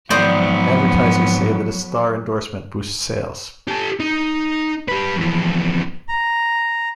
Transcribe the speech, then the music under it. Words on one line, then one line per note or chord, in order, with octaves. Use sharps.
Advertisers say that a star endorsement boosts sales.
G#2 D#3 F3 F#3 B3 C5 D5 D#5
G4 A4
D#4
G4 B4
F2 E3
A#5